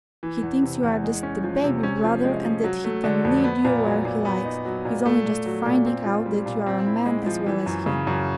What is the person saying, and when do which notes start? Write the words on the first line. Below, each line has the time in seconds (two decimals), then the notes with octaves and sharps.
He thinks you are just the baby brother and that he can lead you where he likes. He's only just finding out that you are a man as well as he.'
0.23 E3
0.43 E2
0.63 C3
0.83 E2
1.04 G#3
1.23 C#4
1.44 F3
1.64 C3
1.83 C#4
2.04 F3
2.24 G#3
2.44 F3
2.64 F#3
2.84 A3
3.04 D3
3.25 F2
3.44 B3
3.65 A#2
3.85 F#3
4.05 A#2
4.25 B3
4.45 D#4
4.65 F#3
4.85 A#2
5.06 A3
5.25 A#2
5.46 F#3
5.66 A#2
5.86 C4
6.05 F4
6.26 G3
6.46 A#2
6.66 C4
6.87 E4
7.06 G#3
7.26 F3
7.46 E3
7.66 F#2
7.86 C#3
8.07 F#2